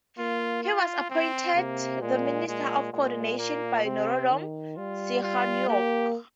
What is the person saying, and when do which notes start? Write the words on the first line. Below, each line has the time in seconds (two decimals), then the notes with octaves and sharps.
He was appointed the Minister of Coordination by Norodom Sihanouk.
0.18 A#3 F4
0.64 F4
1.10 C4
1.56 C3 A#3
2.02 A#2 G#3
2.47 A#2 G#3
2.93 A#2 G#3
3.39 A#3
3.85 C3 C4
4.32 D#3
4.77 G3 F4
5.23 F4
5.68 A#3 G4